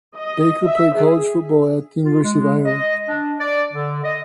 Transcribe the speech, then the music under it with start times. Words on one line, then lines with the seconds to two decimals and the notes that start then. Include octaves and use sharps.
Baker played college football at the University of Iowa.
0.16 D#5
0.65 E5
0.95 G#4
2.04 F4
2.23 G#3
2.65 D#5
3.08 D4
3.40 D5
3.72 D3
4.04 D#5